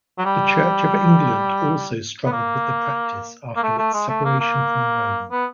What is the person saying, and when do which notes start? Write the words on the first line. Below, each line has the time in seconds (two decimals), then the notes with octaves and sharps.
The Church of England also struggled with the practice after its separation from Rome.
0.18 F#3
0.25 G3
2.26 B3
2.32 A#3
3.56 A#3
3.63 A3
3.78 A3
3.93 G#3
4.09 A3
4.25 A#3
4.40 A#3
5.31 B3